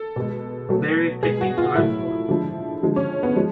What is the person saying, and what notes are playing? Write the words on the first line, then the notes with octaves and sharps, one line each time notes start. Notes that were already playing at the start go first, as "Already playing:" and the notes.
Various techniques are employed.
Already playing: A4
B2 G#3
B2 F#3 A3
B2 G#3 G#4
F#4
F4
A2 F#3 A3 E4
D3 F3 G#3
D3 F3 G#3
C#4
B3
F3 G#3